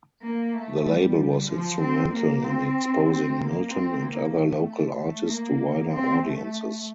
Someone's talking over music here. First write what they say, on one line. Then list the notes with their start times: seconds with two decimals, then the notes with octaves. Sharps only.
The label was instrumental in exposing Milton and other local artist to wider audiences.
0.22 A#3
0.54 A3
0.86 G3
1.48 F3
1.80 C4
2.12 A#3
2.44 C4
3.08 C4
3.39 A#3
3.71 C4
4.02 A#3
4.34 A3
4.97 A3
5.29 A#3
5.92 C4
6.24 A3